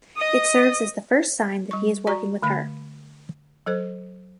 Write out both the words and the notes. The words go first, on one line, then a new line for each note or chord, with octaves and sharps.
It serves as the first sign that he is working with her.
D#5 D#6
G3 C#6
F#4 D5 A#5 C#6
D3 A3 B5
F#3 A4 C5